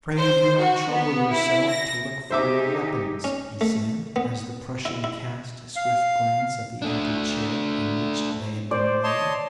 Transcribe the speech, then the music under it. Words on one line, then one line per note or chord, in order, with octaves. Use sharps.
"Pray do not trouble yourself to look for your weapons," he said, as the Prussian cast a swift glance at the empty chair in which they had been laid.
C5
F#4
B3
E4
A#6
D#4 G4 G#4 C5 E5 D6
C#4
A3
B3
E4
E4
F5
A3 D4
C5 D5
C#5 D#5 A5 C6